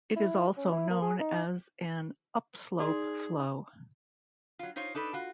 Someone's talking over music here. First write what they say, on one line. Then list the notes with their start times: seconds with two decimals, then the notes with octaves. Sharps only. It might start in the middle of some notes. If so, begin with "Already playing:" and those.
It is also known as an upslope flow.
0.16 E4
0.57 C#4
0.73 E4
0.90 A#3
1.02 G#4
1.20 D#4
2.80 D#4 G#4 D5 C6
4.59 F#3 F4
4.76 D#4 F4 C5 C#5
4.94 D4 D#4 A4 B4
5.13 F4 F#4